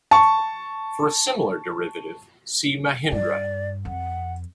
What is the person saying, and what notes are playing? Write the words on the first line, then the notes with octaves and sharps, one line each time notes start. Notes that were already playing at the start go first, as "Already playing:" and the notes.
For a similar derivative, see Mahindra.
A5 C#6
G2 D5
F2 F#5